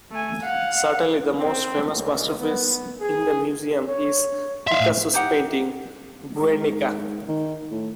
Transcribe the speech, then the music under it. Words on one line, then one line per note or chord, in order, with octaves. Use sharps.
Certainly, the most famous masterpiece in the museum is Picasso's painting "Guernica".
A3 G#5
F5 F#5
C4
C#2
B3
G#4
C#5
E5 F5 C6
A2
D#4 G4 F#5
G#2
D#3
A2